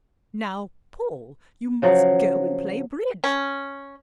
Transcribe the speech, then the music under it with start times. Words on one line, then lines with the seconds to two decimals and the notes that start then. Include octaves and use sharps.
Now, Paul, you must go and play bridge.
1.82 C#3 F3 F#3
3.24 C#4